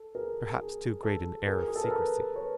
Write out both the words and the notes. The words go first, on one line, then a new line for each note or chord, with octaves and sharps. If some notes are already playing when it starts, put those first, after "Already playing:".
Perhaps too great an air of secrecy.
Already playing: A4
G#4 A#4
G#4
A4
G#4 A#4
G#4
A4
A#4
A4 B4
B4 C#5